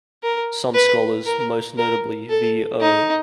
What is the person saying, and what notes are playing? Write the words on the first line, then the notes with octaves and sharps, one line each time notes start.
Some scholars, most notably V. O.
A#4
B4
A#4
A#4
A4
D#4